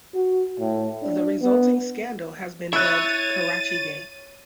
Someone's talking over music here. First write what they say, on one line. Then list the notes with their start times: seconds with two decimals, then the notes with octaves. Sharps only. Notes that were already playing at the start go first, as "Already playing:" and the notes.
The resulting scandal has been dubbed "Karachigate".
0.14 F#4
0.60 A2
1.02 D4
1.41 B3
2.73 E4 C#5 E5 F#6 A6 D#7